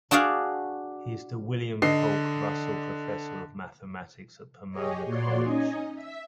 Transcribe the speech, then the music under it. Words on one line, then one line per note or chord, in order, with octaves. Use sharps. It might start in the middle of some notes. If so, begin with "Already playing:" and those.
He is the William Polk Russell Professor of Mathematics at Pomona College.
D4 F#4 G#4 D5 F5
D3 D#5 C7
G4 G#4 C#5 D#5
A#2 A#3 F#4 C#5 D5 C6
C#4 D#4 D#5 G#5
E5 B6